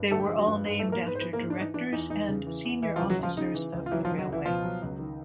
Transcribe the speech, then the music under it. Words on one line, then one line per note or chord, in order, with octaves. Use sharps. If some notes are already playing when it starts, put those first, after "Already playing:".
They were all named after directors and senior officers of the railway.
Already playing: G2
D3 A3 A4
G4
G#3 G#4
F3
F#3 F#4
G2
G#2 G#3 G#4
A3 A4
E3
A#3 A#4
G#2 B3 B4
C5
E3 B3 B4
A#3 A#4
G#2
D4
E3 D#4
E3 D4
E2 D#4
E2 D#4
C#3
E3
E2
E3 E4
F3 F4
C#2
F#3 F#4
C#2 F3 F4
C#3 D#4
E3
C#2
F4
E3 F#3 E4
F3 F4
C#2
F#3 F#4
C#2
E3 E4
B2 F3 F4
F#3
C#2
D#3